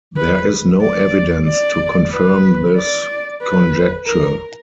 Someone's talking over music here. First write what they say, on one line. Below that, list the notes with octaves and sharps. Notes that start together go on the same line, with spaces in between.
There is no evidence to confirm this conjecture.
B4
D5
D5
B4
D5
B4
A#4